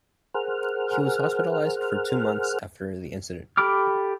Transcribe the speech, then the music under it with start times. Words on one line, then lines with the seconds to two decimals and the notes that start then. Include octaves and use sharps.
He was hospitalized for two months after the incident.
0.34 G#4 A#4 C5 F#5 F6
3.57 G4 A4 B5 D6 F6